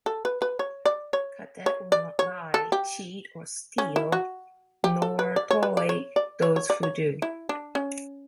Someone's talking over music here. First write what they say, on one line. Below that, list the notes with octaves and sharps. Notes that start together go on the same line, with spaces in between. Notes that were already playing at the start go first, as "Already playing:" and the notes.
A cadet will not lie, cheat, or steal, nor tolerate those who do.
A4
B4
B4
C#5
D5
C#5
C#5
D5
C#5
A4
G4
C#4
E4
F#4
G4
A4
B4
D5
C#5
B4
D5
C#5
D5
C#5
C#5
D5
C#5
E4
D4
C#4